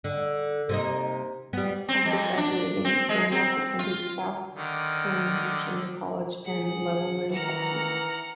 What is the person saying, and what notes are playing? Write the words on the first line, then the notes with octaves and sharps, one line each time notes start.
After graduating, Womack attended South Plains Junior College in Levelland, Texas.
D3
C3 A#3 D#4
G3 B3
C4
F2
D4
C4
G#3
C4
F4
D3 D#3
G#4 F#5
D#3 E3 F#5 A#5 F6 C#7